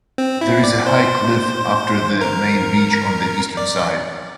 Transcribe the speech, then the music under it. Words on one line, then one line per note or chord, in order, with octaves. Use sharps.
There is a high cliff after the main beach on the eastern side.
C4
E4
D5
C5
A#4
D5